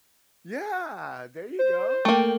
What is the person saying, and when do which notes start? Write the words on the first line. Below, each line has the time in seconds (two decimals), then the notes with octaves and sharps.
Yeah, there you go.
1.59 C5
2.05 A3 A#3 G5